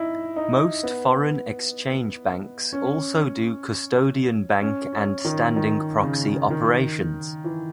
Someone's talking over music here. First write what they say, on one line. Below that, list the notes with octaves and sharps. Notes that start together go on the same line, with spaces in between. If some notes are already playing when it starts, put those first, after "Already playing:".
Most foreign exchange banks also do custodian bank and standing proxy operations.
Already playing: D#4 E4
D#4
B3
C#4
C#4
C#4
D#3
D#3
C#3
D#3
E3